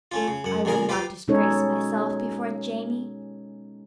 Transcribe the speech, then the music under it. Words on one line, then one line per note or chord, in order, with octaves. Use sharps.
I would not disgrace myself before Jamie.
A3 C#4 F4
C#3
F#2 F#5
A1 A#2 C#3 G#4 A#4
F4 G4 B4 C5 F5
B2 G#3 C#4 D#4 A4 C#5